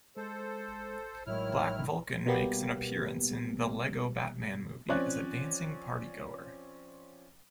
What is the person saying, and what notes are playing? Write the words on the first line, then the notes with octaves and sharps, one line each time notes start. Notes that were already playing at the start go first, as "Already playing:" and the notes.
Black Vulcan makes an appearance in "The Lego Batman Movie" as a dancing partygoer.
G#3 A4 C5
A2 D#3 F#3 G#3 E4 C#5 F6
B2 G3 A#3 B3 G4
F3 C4 C#4 C#5 D5 F#6